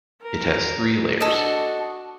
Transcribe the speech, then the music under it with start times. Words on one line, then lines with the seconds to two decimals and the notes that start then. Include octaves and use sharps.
It has three layers.
0.21 A#4
1.21 D4 F#4 A4 D#5